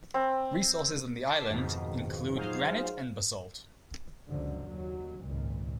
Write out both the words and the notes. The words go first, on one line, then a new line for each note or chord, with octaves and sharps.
Resources on the island include granite and basalt.
C4
A5 D6 B6 C7
F2 G#2 B2 D#3
F#3 D#4 F4 G#4 C5 F5
F#1 C#2 F#2 D3 F3
D#2 F#3
G#1 C#2 A#2